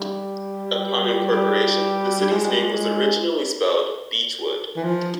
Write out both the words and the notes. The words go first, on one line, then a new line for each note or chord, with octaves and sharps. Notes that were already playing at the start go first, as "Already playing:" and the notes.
Upon incorporation, the City's name was originally spelled, "Beechwood".
Already playing: G3
G3
G3
G#3
G3
G#3
E3
F3